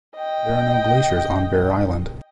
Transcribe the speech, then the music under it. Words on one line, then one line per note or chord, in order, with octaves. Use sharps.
There are no glaciers on Bear Island.
D#5 G5